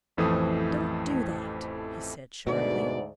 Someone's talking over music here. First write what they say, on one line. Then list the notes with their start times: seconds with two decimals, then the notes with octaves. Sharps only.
"Don't do that!" he said sharply.
0.17 A1 F2 E3 A3 C5 D#6
2.47 D2 G#2 B2 D5